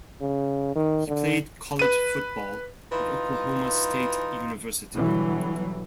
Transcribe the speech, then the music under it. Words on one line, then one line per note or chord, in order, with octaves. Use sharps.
He played college football at Oklahoma State University.
C#3
D#3
D3
B4 D#7
E3 D#4 F4
B2 D3 E3 F#3 G3